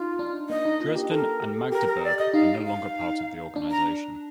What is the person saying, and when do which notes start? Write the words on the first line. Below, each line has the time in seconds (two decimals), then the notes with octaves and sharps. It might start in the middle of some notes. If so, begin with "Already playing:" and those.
Dresden and Magdeburg are no longer part of the organization.
Already playing: D#4 F4
0.19 D4
0.50 A#3 D#5
0.65 D#4
0.81 F4
0.96 G4
1.11 A4 A#4
1.42 G4
1.72 G4 A#4
1.88 A#4
2.04 D5
2.18 D#5
2.34 D#4 F5
2.65 F5
3.56 D4
3.71 A#5